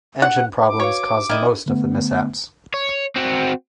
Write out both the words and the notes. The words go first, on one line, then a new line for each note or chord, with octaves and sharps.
Engine problems caused most of the mishaps.
F#5
D6
F#4 B4 C#5 F5
D#3 E4 D#5
D3 A3 B3
C#5
C4 F#4